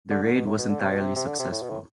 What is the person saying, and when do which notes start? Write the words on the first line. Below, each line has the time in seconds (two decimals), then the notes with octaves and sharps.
The raid was entirely successful.
0.11 D3
0.23 D3
0.35 B2
0.46 A2
0.58 B2
0.69 D3
0.80 C3
0.90 B2
1.00 C3
1.16 C3
1.27 D3
1.39 C3
1.52 A2
1.63 B2
1.70 A2